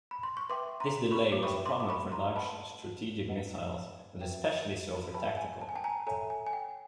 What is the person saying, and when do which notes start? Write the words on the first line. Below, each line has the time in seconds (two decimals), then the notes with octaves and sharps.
This delay was a problem for large strategic missiles, but especially so for tactical.
0.11 B5
0.23 C6
0.37 C#6
0.50 B4 E5 G5 C6 D6
0.80 A#5 C6
1.11 B5 C#6
1.32 D6
1.42 B4 E5 G5 B5 C#6
1.66 C6 D6
1.80 D6
1.89 B5 C#6
2.12 A#5 C6
2.36 B4 D#5 F#5 A5 B5
3.28 B4 D#5 F#5
4.21 B4 E5 G5
5.14 B4 E5 G5 A5 B5
5.37 G#5
5.61 A5
5.69 G#5
5.75 G5 A5
5.84 G#5 A#5
6.07 A4 C#5 E5 G#5 A#5
6.30 G#5
6.47 G#5
6.53 G5